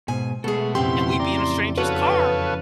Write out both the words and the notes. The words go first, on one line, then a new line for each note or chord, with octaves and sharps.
and we'd be in a stranger's car
G#2 B2 G#5
B2 G#3 A3 G#4 A4
F2 A2 C#3 E3 C4 G4 C6
D5 A#5
E2 F#4 A4 B4 C#5 F5